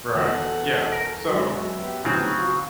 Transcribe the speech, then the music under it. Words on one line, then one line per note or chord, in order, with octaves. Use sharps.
Right. Yeah. So,
E2 B2 A4 F#5
A#4
F#2 G#3 F#4 E5
B3 G4
A#1 A2 C#3 F#3 C4 G#5
F#4 F5